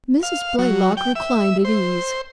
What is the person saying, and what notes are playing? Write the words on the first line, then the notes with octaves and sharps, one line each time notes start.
Mrs. Blaylock reclined at ease.
F5
F#3
G5
E5
C5